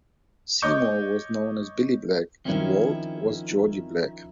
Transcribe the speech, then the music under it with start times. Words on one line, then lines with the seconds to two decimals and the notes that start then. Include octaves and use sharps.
Seymour was known as Billy Black, and Walt was Georgie Black.
0.62 C#5 D#5 C#6 D6 G6
2.45 D#3 F3 C4 C#4 E4